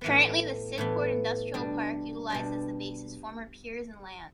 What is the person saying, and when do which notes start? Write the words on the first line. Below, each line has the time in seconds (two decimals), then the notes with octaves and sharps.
Currently, the Sydport Industrial Park utilizes the base's former piers and land.
0.01 A2 E3 B3
0.78 A2 E3 B3
1.54 B2 G3 D4
2.30 B2 G3 D4